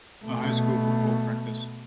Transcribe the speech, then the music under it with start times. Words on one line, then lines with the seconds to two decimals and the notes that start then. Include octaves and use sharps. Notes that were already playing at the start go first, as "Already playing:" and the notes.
A high school football practice.
0.24 B2 A3